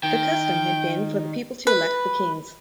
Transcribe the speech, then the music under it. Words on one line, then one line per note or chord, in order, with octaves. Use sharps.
The custom had been for the people to elect the kings.
D#3 G5
B4